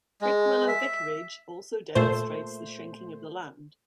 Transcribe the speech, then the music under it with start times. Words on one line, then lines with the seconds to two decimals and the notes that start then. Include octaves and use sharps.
Prickwillow vicarage also demonstrates the shrinking of the land.
0.22 G#3
0.68 E5
1.95 A#2 A3 C5